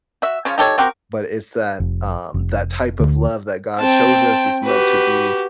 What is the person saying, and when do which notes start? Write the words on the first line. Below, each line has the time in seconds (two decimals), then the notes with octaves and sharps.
but it's that, um that type of love that God shows us is meant to be
0.22 F#4 E5
0.45 C#3 F3 C#4
0.58 D#4 G4 A4 C#5
0.78 C4 F#4 G4 A#4
1.80 F1
2.34 F1
3.00 D2
3.79 C4 G5 A5
4.64 F#4 G4 B4